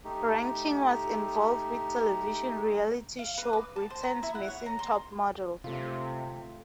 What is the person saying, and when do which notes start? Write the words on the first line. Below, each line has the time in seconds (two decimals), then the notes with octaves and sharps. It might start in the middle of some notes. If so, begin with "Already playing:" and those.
Rankin was involved with television reality show Britain's Missing Top Model.
0.05 A3 D#4 G4
3.19 F5
3.38 B4
3.53 D6
3.76 A5
3.90 C5
4.03 A#5
4.23 E4
4.35 F#5
4.48 C#5
4.66 A#5
4.79 C6
5.64 C3 A3 F4